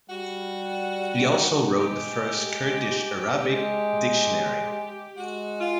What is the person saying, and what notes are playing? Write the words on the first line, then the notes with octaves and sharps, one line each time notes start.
He also wrote the first Kurdish-Arabic dictionary.
G3 F#4
G#3 G4
G#3 G4
G#3 F#4
F4